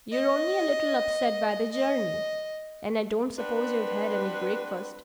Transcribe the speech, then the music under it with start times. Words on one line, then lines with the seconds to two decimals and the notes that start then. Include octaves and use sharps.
You're only a little upset by the journey, and I don't suppose you've had any breakfast.
0.12 D#5
1.72 D#5
3.37 C4 D4 F#4 B4